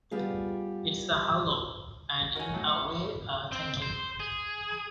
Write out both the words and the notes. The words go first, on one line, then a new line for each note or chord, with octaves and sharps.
It's a hello, and in a way a thank you.
G3 B3 F4 G#4
D#4 F#4 A#4 C#5 G#5
A2 F#3
E4 C#6
C4
C5
G#4